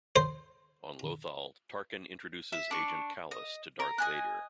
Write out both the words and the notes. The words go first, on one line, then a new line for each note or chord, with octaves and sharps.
On Lothal, Tarkin introduces Agent Kallus to Darth Vader.
C5
E5
D4 C#6
D#5
A#4
D#5 G#5 F#6